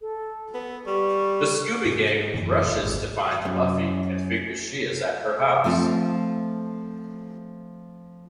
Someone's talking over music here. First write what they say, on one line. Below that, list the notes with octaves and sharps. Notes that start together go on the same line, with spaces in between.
The Scooby Gang rushes to find Buffy and figures she is at her house.
A4
B3
G3 C#6
G#2
F#2 A#2 E3
E1
G#1 D#2 G#2
F#2
F3 A3 C4 F4